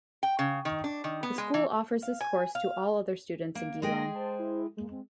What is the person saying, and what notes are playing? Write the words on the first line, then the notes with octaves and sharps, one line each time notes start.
The school offers this course to all other students in Geelong.
G5
C#3
D#3
D4
D#3
B3
G#3
E3
F5
G#5
F5
A#3
G#3 A#3 G#4 G5 A#6
C5 A5
E4
G#3 A#3
C4